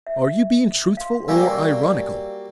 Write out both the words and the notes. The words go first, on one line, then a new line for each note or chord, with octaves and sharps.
Are you being truthful or ironical?
E5
F5 C6
F#3 G3 A#3 F5 G#5 E6